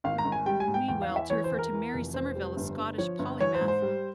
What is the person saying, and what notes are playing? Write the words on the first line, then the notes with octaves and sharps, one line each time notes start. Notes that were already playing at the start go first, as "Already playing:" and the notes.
W Whewell to refer to Mary Summerville, a Scottish polymath,
G#1 F5
A#5
G#1
G#5
G3 G5
G#5
G#2
G5
E2 G5
F5
E3
E5
E3 C#5
C5
E2
A#4
E3
F1
F1 C5
G3
G1
G1
F3 C#5
G1
E3 C#5
C5
G#2
C5
G3